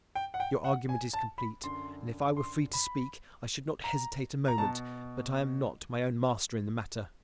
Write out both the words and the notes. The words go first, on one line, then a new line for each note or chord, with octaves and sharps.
Your argument is complete, and if I were free to speak I should not hesitate a moment; but I am not my own master in the matter.
G5
F#5
G5
F#5
G#5
A5
B5
F#2 D3 C6
C6
B5
A#5
A#5
B2 A5